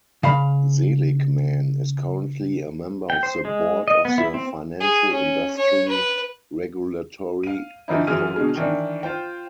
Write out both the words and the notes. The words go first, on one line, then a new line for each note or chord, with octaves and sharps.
Seligman is currently a member of the board of the Financial Industry Regulatory Authority.
C#3 F5 B5
G5
C5
G#3
D#5
B3
E4
C4
G#4
C#4
C#5
B4
F5 D#7
D3 E3 F3 D#4 E4
F#2 E3 F4 G#4 F6 D#7
B2 D3 G#3
D#3 E3 D4
F4 C5 G5